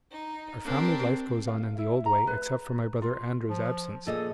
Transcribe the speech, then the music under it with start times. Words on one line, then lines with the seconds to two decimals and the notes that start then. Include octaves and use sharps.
Our family life goes on in the old way except for my brother Andrew's absence.
0.11 D#4
0.64 C4 D4 G4 A#4
1.48 F5
1.78 E4
2.06 A#5
2.27 B4
3.02 F4
3.50 F3
4.07 A#2 G#4 A4 D#5